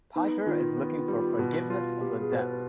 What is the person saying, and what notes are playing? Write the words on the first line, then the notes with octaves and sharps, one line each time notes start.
Piper is looking for forgiveness of the debt.
B3 D#4
D#3 F4
B3 F4
G3
B2
F4
B3 G4
G#4
B2 C5
B4